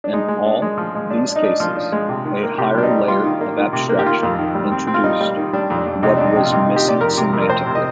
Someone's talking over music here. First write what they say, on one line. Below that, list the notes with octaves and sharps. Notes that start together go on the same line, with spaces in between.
In all these cases, a higher layer of abstraction introduced what was missing semantically.
D4
G#3 D#4
G#3
D4
G#3
F3
G#3
D4
D4
D#4
D4
F3 F4
D4
G#3
C3
D#3
A#3
C3 G4
G3 D4
D#4
G3
G3 F4
D#3
A#3
D#3
C3
A#3
G4
D#3 F4
F2
D#3
G3
C4
C4
F4
G3 D#4
G3
D#3
G3 D4
F2
D4
F2
C3 D#4
F2 D4
D#4
C3
F4
C3 D#4
D#3 D#4
G4
C3 D5
F2 A#4
C3
F2
A#4
C3 C5
C3
D#5